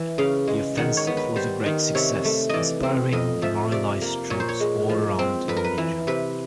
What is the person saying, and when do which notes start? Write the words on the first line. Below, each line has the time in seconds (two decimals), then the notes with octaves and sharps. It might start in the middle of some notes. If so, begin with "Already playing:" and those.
The offensive was a great success, inspiring demoralized troops all around Indonesia.
Already playing: E3
0.18 C#3 F5
0.48 G#3
0.77 D#3 F#5
0.97 C#5
1.07 B3
1.17 B4
1.36 G3 C5
1.66 D#3
1.95 C3 C#5
2.25 A3
2.49 E3 D5 D#5
2.83 C4
3.13 F2 D#5
3.42 F3 E5
3.72 C3 D5
4.02 A#3
4.30 A#2 C#5
4.40 C5
4.49 C#5
4.60 G#3
4.89 F3
5.19 C4
5.48 F2 B4
5.57 A#4
5.64 B4
5.78 E3
6.07 C3 B4